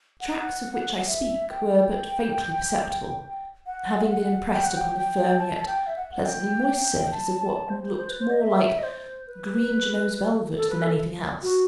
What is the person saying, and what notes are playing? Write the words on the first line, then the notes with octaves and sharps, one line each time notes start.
The tracks of which I speak were but faintly perceptible--having been impressed upon the firm, yet pleasantly moist surface of--what looked more like green Genoese velvet than any thing else.
F#5
E5
G5
F#5
E5
F#5
G5
F#5
G5
G5
A5
A5
G5
E5
F#5
F#5
G5
G5
A5
A5
C5
C5
B4
C5
D#5
E5
D#5
C5
B4
A4
B4
A4
F#4